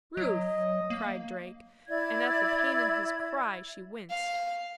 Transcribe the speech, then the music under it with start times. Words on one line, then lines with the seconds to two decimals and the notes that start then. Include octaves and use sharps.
"Ruth!" cried Drake, and at the pain in his cry she winced.
0.17 F#3 D#5
0.90 A#3
1.88 E4 D5 G#6
4.10 F5